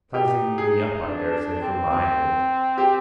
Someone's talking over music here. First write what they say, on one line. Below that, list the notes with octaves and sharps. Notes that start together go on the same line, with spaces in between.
Sizing me up I daresay from my hand.
D#4 G4
G#4
D4
D4
D4
C4
C4
G4